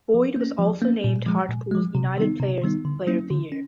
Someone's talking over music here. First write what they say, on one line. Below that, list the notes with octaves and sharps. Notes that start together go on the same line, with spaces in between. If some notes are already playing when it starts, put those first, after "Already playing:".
Boyd was also named Hartlepool United's Players' Player of the Year.
F3
A#3 C#4
F3
A#3 C#4
A#2
F3 G#3
A#2
F3 G#3
C3
D#3 G3 B3 D#4
C3
D#3 G3 B3 D#4
D3
F#3 A#3 C#4 E4
D3
C#4